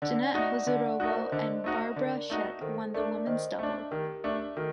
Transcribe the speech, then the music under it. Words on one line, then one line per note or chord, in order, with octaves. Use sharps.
Janette Husárová and Barbara Schett won the women’s double.
D3 D5 F#5
A3 D#4 F#4 D5 F#5
D3 D5 F#5
A3 D#4 F#4
A#4
C5
D5
D3 C5 D#5
A3 D#4 F#4
D3 A#4 D5
A3 D#4 F#4
D#3 A4 C5
A3 D4 A#4 D5
D#3 C5 D#5
A3 D4
D#3 G4 A#4
A3 D4
D#3 F#4 A4